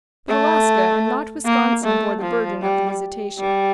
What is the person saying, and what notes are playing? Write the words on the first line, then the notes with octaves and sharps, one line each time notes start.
But Alaska and not Wisconsin bore the burden of the visitation.
A3
A#3
A3
F3
G3
G3